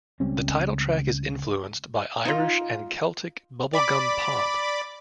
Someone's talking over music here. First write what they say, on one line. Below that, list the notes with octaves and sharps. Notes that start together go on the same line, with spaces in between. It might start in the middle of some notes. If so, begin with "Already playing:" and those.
The title track is influenced by Irish and Celtic bubblegum pop.
C#2 G3 C4 C#4
D#4 F4
D5 B5 D6